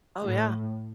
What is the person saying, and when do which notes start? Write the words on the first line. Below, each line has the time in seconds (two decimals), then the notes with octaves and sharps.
Oh, yeah.
0.22 A2